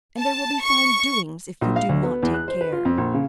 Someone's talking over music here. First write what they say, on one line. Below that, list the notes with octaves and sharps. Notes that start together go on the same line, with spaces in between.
"And there will be fine doings, if you do not take care."
A5
C#6
A#1
F5
D2
B3
E2
F#6
C5
B4
F4
F2
A#1
C#3